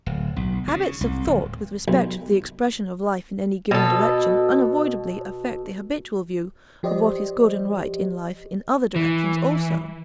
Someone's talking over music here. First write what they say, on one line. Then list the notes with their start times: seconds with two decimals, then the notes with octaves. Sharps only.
Habits of thought with respect to the expression of life in any given direction unavoidably affect the habitual view of what is good and right in life in other directions also.
0.06 D1
0.36 B1
0.68 C#3
1.01 C2
1.27 D1
1.88 B1
3.71 B2 A4
6.83 F3 G4 C5 D5 D#5
8.96 E3